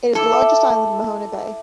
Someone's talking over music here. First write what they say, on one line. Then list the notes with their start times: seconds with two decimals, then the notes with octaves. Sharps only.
It is the largest island in Mahone Bay.
0.15 E4 A4 D5 E5